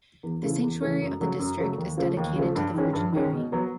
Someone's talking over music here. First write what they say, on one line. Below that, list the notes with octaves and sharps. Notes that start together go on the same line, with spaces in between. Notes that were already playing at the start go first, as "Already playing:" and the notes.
The sanctuary of the district is dedicated to the Virgin Mary.
E2
C#3 E3 A3
E2
C#3 E3 A3
F#2
C#3 F#3 A3
F#2
C#3 F#3 A3
D#2
C#3 F3 A3
D#2
C#3 F3 A3
G2
D#3 G#3 C#4
G2
D#3 G#3 C#4
B2
F#3 B3